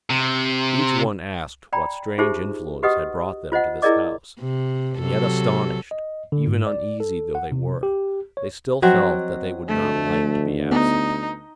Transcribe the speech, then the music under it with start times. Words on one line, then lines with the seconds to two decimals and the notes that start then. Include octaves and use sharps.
Each one asked what strange influence had brought them to this house, and yet astonished, even uneasy though they were, they still felt that they would not like to be absent.
0.10 C3
1.73 D5 G5 A#5 B5
2.18 D#4 F4 G4 G#4 C5 E5
2.83 F#4 G4 B4 D#5 F#5 D#6
3.52 F4 C5 D#5 F#5
3.82 E4 G#4 A#4 D5 D#5 D6
4.40 C3
4.99 C3 F#3 A4
5.91 D#5
6.32 D3
6.47 G#2
6.67 D5
7.00 A4
7.35 F#5
7.52 C3
7.83 G4
8.37 C#5
8.82 F3 F#3 C4 F#4 D#5
9.68 D2 A3
10.71 B3 D#4